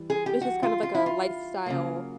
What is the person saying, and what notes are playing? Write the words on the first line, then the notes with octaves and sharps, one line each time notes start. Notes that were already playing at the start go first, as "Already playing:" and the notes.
It's just kind of like a lifestyle
Already playing: E3 G3
G#4
G4
F#4
F4
F4
E4
F4
C#3 F#3 A#3